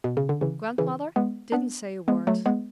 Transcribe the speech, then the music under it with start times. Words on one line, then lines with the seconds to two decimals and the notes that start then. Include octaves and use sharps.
Grandmother didn't say a word.
0.04 B2
0.17 C#3
0.29 D3
0.41 C#3 E3
0.78 C#3 E3
1.16 G#3 B3
1.52 B3 D4
2.08 G#3 B3
2.27 F#3 A3
2.46 G#3 B3